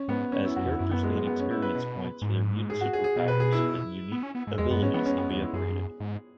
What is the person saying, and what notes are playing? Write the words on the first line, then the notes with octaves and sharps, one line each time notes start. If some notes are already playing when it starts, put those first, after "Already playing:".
As characters gain experience points their mutant superpowers and unique abilities can be upgraded.
Already playing: C#4
G#2 B3
G#2 C#4
F#2 E4
F#2 F#4
E2 E4
F#2 E4
B3
G#3
G#3
B3
C#4
E4
B4
B2
G#2
G#4
F#4
G#4
G#4
B2 G#4
B4
G#4
E4
B3
C#4
B3
G#2
E2 G#3
F#2 B3
G#2 C#4
E3 B3
E2 C#4
F#2 B3
E2 C#4
E4
F#2 G#4
G#2